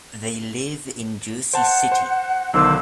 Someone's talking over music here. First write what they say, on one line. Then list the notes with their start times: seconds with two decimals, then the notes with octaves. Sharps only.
They live in Jersey City.
1.53 C5 F#5 A5
1.92 C5
2.54 B1 D3 D#3 C5 D6 E6